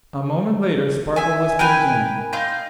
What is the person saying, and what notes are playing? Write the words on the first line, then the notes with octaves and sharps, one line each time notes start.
A moment later Spargo whispered again.
E5 G#5
A#4 B4 G5 G#5
D#4 F4 C6 G6